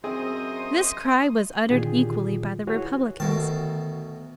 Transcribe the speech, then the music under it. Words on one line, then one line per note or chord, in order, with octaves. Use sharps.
This cry was uttered equally by the republicans.
F#2 C4 G#4 C5 D#5 E5
A#2 D3 D#3 F4 G4 G#4
E4 F#4 G#4 B4 C#5
D2 B2 D#3 A5